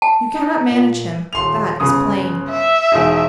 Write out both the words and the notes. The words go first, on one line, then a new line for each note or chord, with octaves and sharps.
"You cannot manage him; that is plain."
A5
D#4
A#2
D#1 C6 F7
G1 C#3 D#6
E5
E1 D#4 G#4